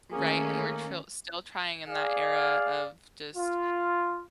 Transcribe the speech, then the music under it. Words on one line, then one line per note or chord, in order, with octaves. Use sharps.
Right? And we're tril still trying in that era of just,
D#3 A3 A#3 C#4 G#4
G#4 D5 F5
F4